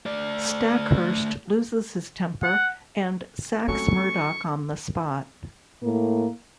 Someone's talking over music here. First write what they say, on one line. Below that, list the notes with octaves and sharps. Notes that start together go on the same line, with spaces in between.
Stackhurst loses his temper and sacks Murdoch on the spot.
A3 D5
F#5
F#3 A3 C4 C#4 A4 C#6
A2 A#3